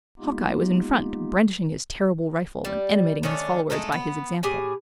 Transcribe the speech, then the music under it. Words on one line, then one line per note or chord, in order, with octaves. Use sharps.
Hawkeye was in front, brandishing his terrible rifle and animating his followers by his example.
G#3 A#3 B3 D#4 F4 G4
G3
D#3 A3 C#4 D4
G#3 A3 D#4 A4
B3
A2 G4 G#4 G#5